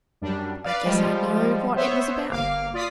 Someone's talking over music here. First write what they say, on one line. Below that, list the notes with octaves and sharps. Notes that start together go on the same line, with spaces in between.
'I guess I know what it was about.'
F#2 G3 D4
B4 D5 F5
F3 G3 G#3 F4
B3 C5 C#5 E5
G1 A#3 F5 D6
F4 D5 D#6 B6 C7